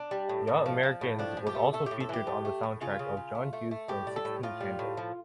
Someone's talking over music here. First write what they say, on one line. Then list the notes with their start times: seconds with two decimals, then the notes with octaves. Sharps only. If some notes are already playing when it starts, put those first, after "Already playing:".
"Young Americans" was also featured on the soundtrack of John Hughes' film "Sixteen Candles".
Already playing: D4
0.11 G3
0.29 A2
0.47 A2
0.66 F3
0.83 F3
1.01 A2
1.19 F3 D4
1.37 A2
1.47 G4
1.55 A3
1.73 A3 A4
1.86 G4
1.91 A2
2.00 A4
2.09 E3 G4
2.27 A2
2.45 A3
2.63 A2
2.81 C#3 F4
2.99 C#3
3.17 C#3
3.35 A3
3.53 A3
3.71 A3
3.88 A2 G4
4.07 G3
4.16 A4
4.25 A2
4.43 A2 F4
4.61 G3
4.79 A2
4.97 F3